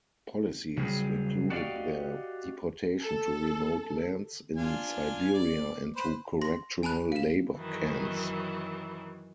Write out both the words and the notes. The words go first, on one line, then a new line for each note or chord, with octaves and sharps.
Policies included their deportation to remote lands in Siberia and to correctional labour camps.
C#3 F#3 G3 G#4
F#4 G4 D5 D#5 F5 G5
A4
D4 F4 G#5
D5
B4 C5
C6 A#6
G#5 A5 B5 F#6
F5 E7
F#2 D#3 E3 F#3